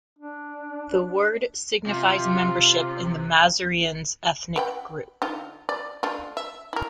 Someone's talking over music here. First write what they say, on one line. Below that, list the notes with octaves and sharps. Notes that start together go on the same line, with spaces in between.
The word signifies membership in the Masurians ethnic group.
D4
C3 F4
B4 F#5 G5
D3 D#4 F4
D5
A3 D4 F4
E5
E4 A#4